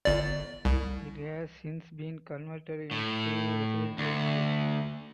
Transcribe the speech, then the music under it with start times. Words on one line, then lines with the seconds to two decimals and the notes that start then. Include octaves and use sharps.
It has since been converted to residential use.
0.05 G1 D5
0.65 C2
2.91 A2
3.98 D2